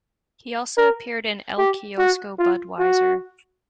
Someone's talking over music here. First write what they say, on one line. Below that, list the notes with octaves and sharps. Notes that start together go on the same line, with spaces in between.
He also appeared in "El Kiosko Budweiser".
A#4
G4
F#4
F4
F#4